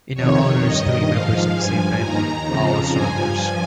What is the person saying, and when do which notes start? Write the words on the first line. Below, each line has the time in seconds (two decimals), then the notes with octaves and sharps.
It now honors three members of the same family, all astronomers.
0.14 F2 C3 D#3 C#5
0.61 G2 D#3 D#5
1.08 G#2 F3 F5
1.54 G2 F3 G#5
2.00 D#2 D#3 A#5
2.47 F2 C#3 F3 A#5
2.93 G2 F3 G#5